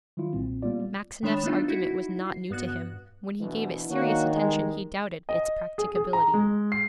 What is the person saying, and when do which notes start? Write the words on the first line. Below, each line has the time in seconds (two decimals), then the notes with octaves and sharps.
Maxineff's argument was not new to him; when he gave it serious attention he doubted its practicability.
0.17 D#3 F#3 G3 E4 F4
0.33 B1 A#2 C4
0.62 G3 A#3 B3 F4 D5
1.23 D#3 G#3 D4 C#5 B5 E7
1.44 A3 B3 D4 D#4 F4
1.68 D#4 E4 F#4
2.25 C7
2.50 G2 B3 F#4 F#6
3.40 D2 B2 E3
3.90 D#3 A#3 D4 D#4 F#4 C#5
4.33 E2 G3 G#3
5.29 D#5
5.78 G#4
5.96 G#4
6.13 A#5
6.34 G#3
6.72 C7